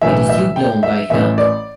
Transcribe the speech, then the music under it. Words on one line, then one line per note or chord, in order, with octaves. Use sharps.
It is still blown by hand.
B1 A2 E3 E5
E5
G5
E5
A1 A2 E3 E5
D5